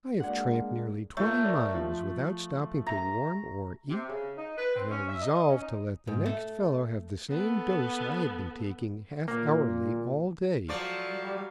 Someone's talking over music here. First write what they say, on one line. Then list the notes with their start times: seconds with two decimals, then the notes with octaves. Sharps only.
I have tramped nearly twenty miles without stopping to warm or eat; and I resolved to let the next fellow have the same dose I have been taking half-hourly all day.
0.20 G#3 A#3 D4 F#4 G#4 D5 F#5
1.17 A3 F4 A#4 C#5
1.44 A#4 C#5 D5
1.74 F3
2.86 E5 A#5
3.90 C3
4.09 C#3
4.37 D#4
4.57 B4
4.75 C4
4.91 C#4
5.08 E5
5.21 D#5
5.49 C#4
5.61 D#4
6.07 G#2
6.26 A3
7.30 B3 A4
9.28 A#2 A#3
10.69 F3 F#3 A3 D5 F5
11.08 G3